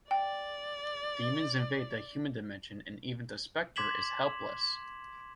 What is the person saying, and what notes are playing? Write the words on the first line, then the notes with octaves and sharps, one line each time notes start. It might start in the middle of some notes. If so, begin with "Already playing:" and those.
Demons invade the human dimension and even the Spectre is helpless.
D5 G5
C6 D6 G#6 B6 E7 F#7